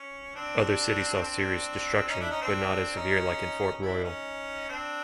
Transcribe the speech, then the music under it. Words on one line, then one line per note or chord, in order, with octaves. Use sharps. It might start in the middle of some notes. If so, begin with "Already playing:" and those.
Other cities saw serious destruction but not as severe like in Fort Royal.
Already playing: C#4
C4 D4
C4 D4
C#4 D#4
D4 E4
C#4 D#4
C4 D4
C#4 D#4
D4 E4
C#4 D#4
C4 D4